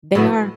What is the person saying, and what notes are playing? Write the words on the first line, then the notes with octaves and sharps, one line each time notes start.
They are.
A2 F#3 B3